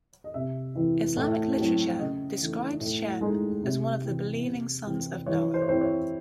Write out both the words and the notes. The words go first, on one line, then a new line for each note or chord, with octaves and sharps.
Islamic literature describes Shem as one of the believing sons of Noah.
D#5
C3 E5
E3 C4 E4
A2
F#3 C4 E4
C#3 D#5
E3 A3 D#4
A2
G#3 D#4
C3
E3 C4 E4
C3
E3 C4 E4
E3 C#5
C5
C#5
C4 E4 C5
C#5